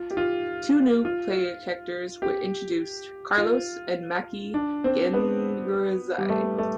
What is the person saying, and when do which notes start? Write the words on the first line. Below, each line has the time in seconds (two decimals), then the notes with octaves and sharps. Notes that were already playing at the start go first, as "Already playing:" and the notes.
Two new player characters were introduced: Carlos and Maki Genryusai.
Already playing: F4
0.11 G4
0.17 F4
1.05 F4
2.22 G4
3.38 F4
4.54 D4
4.84 C4
5.13 B3
6.18 G3
6.29 A3
6.58 A3